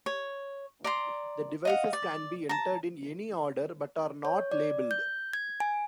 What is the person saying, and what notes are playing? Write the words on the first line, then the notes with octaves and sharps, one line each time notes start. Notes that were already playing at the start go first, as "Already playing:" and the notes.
The devices can be entered in any order, but are not labeled.
C#5
D5 A#5 C6
D#5 F5 F#5
D5
A5 A#5
C#5
D5
G6
G#6
G#5